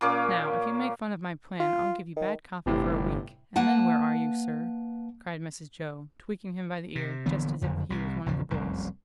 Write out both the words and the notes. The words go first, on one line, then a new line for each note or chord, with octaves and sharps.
"Now, if you make fun of my plan I'll give you bad coffee for a week, and then where are you, sir?" cried Mrs. Jo, tweaking him by the ear just as if he was one of the boys.
A#2 A#3 C#4 D6
F4
D#3
G1 A2 C3 E3
A#3 B4 F#5 A5
C3
A#1 D3 E3 B3
F#1 F2 D3
C2 C3
A#1 E2 C#3 F3
F1 C2 F#2